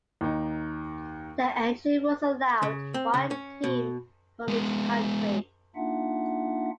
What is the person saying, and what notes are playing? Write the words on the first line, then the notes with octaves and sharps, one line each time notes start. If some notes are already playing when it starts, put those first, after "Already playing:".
The entry rules allowed one team from each country.
D#2 D#4
C#3
C4
C#3
C#4
B2
G#3 B3
A#3 D4 D#4 F4 E5 F#5